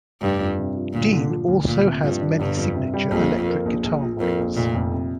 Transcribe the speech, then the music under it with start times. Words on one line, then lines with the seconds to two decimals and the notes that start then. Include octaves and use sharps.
Dean also has many signature electric guitar models.
0.22 F1 G2
0.40 F2
0.58 C3
0.75 F3
0.93 D2 A#2
1.12 D3
1.30 F3
1.48 D2
1.67 D2 A#2
1.85 C3
2.02 G2 F3
2.21 D4
2.39 G1 G2
2.57 F2
2.76 C3
2.94 G3
3.11 A#1 F2
3.29 A#2
3.47 A#3
3.66 A#1
3.84 A#1
4.02 A#2
4.20 F2 A#3
4.39 A#1
4.56 F1 A#2
4.75 F2
4.93 C3